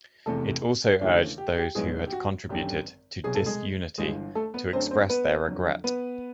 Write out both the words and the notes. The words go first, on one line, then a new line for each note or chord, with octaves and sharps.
It also urged those who had contributed to disunity to express their regret.
F1 E2 C3 A3 A4
D#2 C#3 E3 A3 D4 G4
G4
G4
A#1 A2 F#3 G#3 B3 D#4 G#4
G4
F#4
G#1 F#2 D3 G4
C2 B2 F#3 G#4
A4
G#3 G#4
G1 G2 E3 G#3 G#4
A3 A4
B3 B4
F#2 D3 F#3 A3 C4 D4 C5
C4 C5
B3 B4
F2 D3 F#3
B3 B4